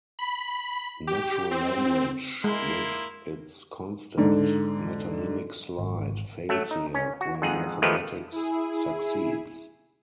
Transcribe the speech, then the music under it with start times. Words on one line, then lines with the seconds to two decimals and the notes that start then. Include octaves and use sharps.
Natural language, with its constant "metonymic slide", fails here, where mathematics succeeds.
0.19 B5
1.07 G4
1.51 C4
2.44 G#3 A#3 E4 C6
4.18 G#2 D3
5.79 G#1
6.49 F#3 A3
6.71 D#4
6.94 C#4
7.21 F#4
7.42 F2 G#2 G#4 F#5
7.82 D#3 F3 G#3 A3 G4 B4
8.32 E4 G#4